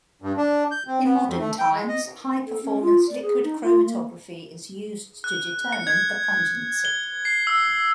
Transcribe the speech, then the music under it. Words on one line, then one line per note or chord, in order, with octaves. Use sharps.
In modern times, high-performance liquid chromatography is used to determine the pungency.
G2
D4
G6
C4
B3
F2
A3
G5
G#3
D#5
A4
C#4
F4
D5
G#4
D#4
F4
A#3
F#6
C#7
G#6
G7
C7
E6